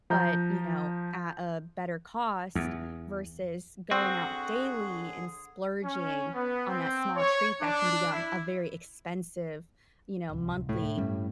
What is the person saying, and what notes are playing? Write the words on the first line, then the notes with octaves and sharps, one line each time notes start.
but, you know, at a better cost versus going out daily and splurging on that small treat that can become a very expensive, you know, monthly
F3 A#5 G6
E2
D3 C4 F#4 G#4
C#4
B3
C4
C#5
D4
E4
D1 C2
A2
G2 G3 C#4